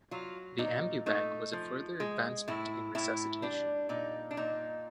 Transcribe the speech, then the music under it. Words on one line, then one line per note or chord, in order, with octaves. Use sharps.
The ambu-bag was a further advancement in resuscitation.
F#3 F4
A#2 D#4
A3 D#4
F3
G#3
A2 E4
A2 E4
G3 D4
A#2 D#4
D4
A#2 D#4